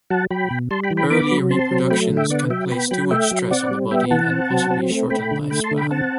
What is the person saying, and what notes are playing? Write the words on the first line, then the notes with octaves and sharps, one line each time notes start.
Early reproduction can place too much stress on the body and possibly shorten lifespans.
F#3 F#5 A5
F#3 G5 B5
B2
G3 A5 C6
G5 B5
E3
G5 B5
B3 B5 D6
F#3
C4 A5 C6
F#3
A3 G5 B5
D3
E5 G5
B3 D5 F#5
F#3 E5 G5
B3 G5 B5
F#3 G5 B5
A3 E5 G5
F#3
C4 D5 F#5
G3
B3 E5 G5
E3 F#5 A5
C4
F#3
C4
A3
A3 G5 B5
D3
A3 G5 B5
A5 C6
D3
G5 B5
C4 F#5 A5